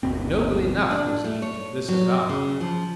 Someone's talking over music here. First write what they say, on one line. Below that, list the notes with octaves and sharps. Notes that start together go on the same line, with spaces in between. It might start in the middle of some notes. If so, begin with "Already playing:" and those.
Noble enough was he to disavow!
G1 D#2 B2 C4
D4
A3
C#5
F#3
C#3
F3